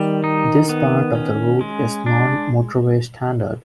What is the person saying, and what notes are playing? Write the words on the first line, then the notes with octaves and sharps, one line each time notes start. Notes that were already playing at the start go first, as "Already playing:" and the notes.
This part of the route is non-motorway standard.
Already playing: D#3 G3
D#4
B3
C#4
G#3
D4